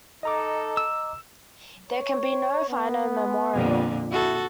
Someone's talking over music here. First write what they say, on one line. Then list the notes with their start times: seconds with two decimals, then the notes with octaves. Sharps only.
There can be no finer memorial.
0.23 D#4 A4 D#5 A#5 D6
0.77 E6
1.90 C#5
2.69 B3
3.54 F2 A#2 D3
4.11 E4 F#4 A4